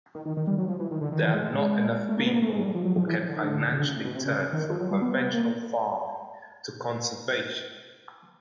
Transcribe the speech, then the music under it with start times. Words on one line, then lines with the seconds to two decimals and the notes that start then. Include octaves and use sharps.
There are not enough people who can financially turn from conventional farming to conservation.
0.15 D#3
0.25 D#3
0.37 D#3
0.47 G3
0.58 F#3
0.69 F3
0.80 E3
0.91 D#3
1.01 D3
1.12 D#3
1.23 E3
1.34 G#3
2.09 A3
2.17 A#3
2.26 B3
2.34 A#3
2.42 A3
2.53 G#3
2.59 F#3
2.64 G3
2.75 F3
2.85 F#3
2.96 F3
3.07 E3
3.28 D3
3.37 D#3
3.44 D3
3.72 C#3
3.80 D3
3.88 C#3
3.96 C3
4.04 B2
4.15 C3
4.26 C#3
4.53 D#3
4.70 F3
4.80 F#3
4.91 G3
5.02 B3
5.18 B3
5.33 A#3